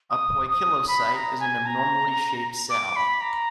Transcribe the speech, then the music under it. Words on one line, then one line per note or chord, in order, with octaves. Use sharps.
A "poikilocyte" is an abnormally shaped cell.
D#6
D#6
B5
A#5
G#5
A#5
D6
B5
A#5